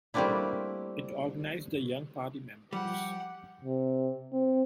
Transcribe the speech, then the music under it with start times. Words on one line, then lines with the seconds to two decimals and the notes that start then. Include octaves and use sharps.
It organized the young party members.
0.14 G3 A3 A#3 C4 D4 E4
2.73 F3 G3 G4 F#5
3.65 C3
4.32 C4